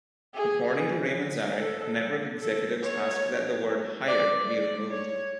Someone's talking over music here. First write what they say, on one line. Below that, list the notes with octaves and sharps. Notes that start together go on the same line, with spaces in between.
According to Ray Manzarek, network executives asked that the word "higher" be removed.
G#4
A4
A4
C#5
D5
D5
C#5